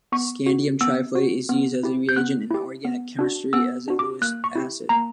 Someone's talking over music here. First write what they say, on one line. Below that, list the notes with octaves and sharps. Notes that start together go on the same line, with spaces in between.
Scandium triflate is used as a reagent in organic chemistry as a Lewis acid.
B3 C#6
F#4
B3 E6
F#4
B3
E4 G4
G6
B3 F#6
E4 G4
B3
D4 F#4
B3 E6
D4 F#4
D6
A#3 F#6
C#6
E4 G4
A#3 A#5